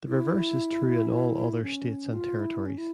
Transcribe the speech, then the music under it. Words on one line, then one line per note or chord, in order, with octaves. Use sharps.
The reverse is true in all other states and territories.
E4
C#4
F4
E4
C#4
E4